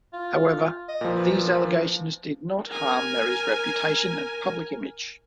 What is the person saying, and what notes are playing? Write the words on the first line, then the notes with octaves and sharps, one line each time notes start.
However, these allegations did not harm Meri's reputation and public image.
F4
D#5
A#2 F3
B4
A#4 G#5